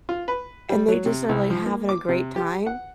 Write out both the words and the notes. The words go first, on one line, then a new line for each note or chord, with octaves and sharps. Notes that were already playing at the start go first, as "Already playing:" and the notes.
and they just are like having a great time.
F4
B4
G3
F#3
C3
C2
F3
A#3
D6
C3
G4
F#5